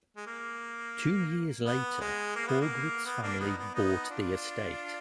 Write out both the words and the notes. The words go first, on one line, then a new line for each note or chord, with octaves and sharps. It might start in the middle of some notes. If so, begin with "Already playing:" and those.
Two years later Haugwitz family bought the estate.
G#3
A#3
B3
G#3
A#3
B3
A#3
B3
A#3 D4
B3 D#4
B3
B3 D#4
D4 F4